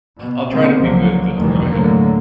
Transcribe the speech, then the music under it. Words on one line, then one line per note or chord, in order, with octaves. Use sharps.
I'll try to be good though. Go ahead.
B2
B2 D3 D#3 G#3 A#3 C4
C#2 D3 F3 F#3 A#3
F1 D2 B2 D#3 E3 G3
A2 D3 F#3 A#3